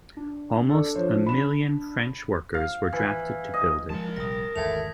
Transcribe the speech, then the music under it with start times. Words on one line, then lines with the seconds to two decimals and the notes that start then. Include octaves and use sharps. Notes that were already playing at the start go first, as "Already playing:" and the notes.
Almost a million French workers were drafted to build it.
0.17 D4
0.70 A4 D5
0.95 F3 C5 C#5
1.26 B5 E7
2.54 F5
2.93 E3
3.54 D#5
3.90 F3 G#3 A#4 A5
4.16 A#1 C3 G3 D#6 A#6
4.56 G#1 E2 D3 A3 G#6 F7